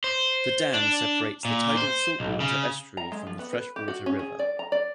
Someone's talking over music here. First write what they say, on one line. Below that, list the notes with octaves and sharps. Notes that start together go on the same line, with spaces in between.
The dam separates the tidal salt water estuary from the fresh water river.
C5
D4
A#2
C5
B1
C#3
A#5
G#3
F3
B3
B4
G4
F#4
C#4
G#4
D5
A#5
D5